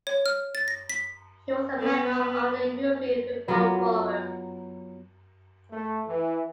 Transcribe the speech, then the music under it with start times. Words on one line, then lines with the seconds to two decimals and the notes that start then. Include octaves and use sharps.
He was a member of the European Reform Forum.
0.07 C#5
0.26 F6
0.55 A6
0.68 A#6
0.90 B6
1.81 B3
3.48 F#3 B3 F4 A#4
5.71 A3
6.07 E3